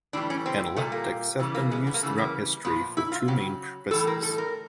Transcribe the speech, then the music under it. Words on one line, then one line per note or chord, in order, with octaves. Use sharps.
Analeptics have been used throughout history for two main purposes.
A2 E3 G3 D4
C#4
C4
A#2 G3 A3
A#3
C#3 E3 G3
A#3
G#3
B3
A#3
C#3 E3 G3 A3
A#3
A#2 F3 B3
E4
F4
C#3 F#3 G4
A2 E3 G3 A4
A#4
A4
A#4